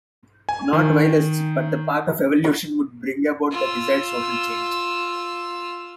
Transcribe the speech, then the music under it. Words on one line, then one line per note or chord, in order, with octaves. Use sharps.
Not violence, but the path of evolution, would bring about the desired social change.
G#5
D#3
F4 E6